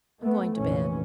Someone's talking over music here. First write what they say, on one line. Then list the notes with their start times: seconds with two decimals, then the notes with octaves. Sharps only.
I'm going to bed.'
0.22 A3 B3
0.57 F1 A#1 E3 C#4